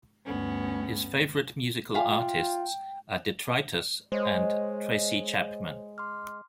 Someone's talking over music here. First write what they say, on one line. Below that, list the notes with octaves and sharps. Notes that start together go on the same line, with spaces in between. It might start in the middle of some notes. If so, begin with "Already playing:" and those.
His favorite musical artists are Detritus and Tracy Chapman.
D2 G2 B3 C#4
F4 E5 F5 G5 G#5
G#3 C5 C#5 D#5
C6 D6 F6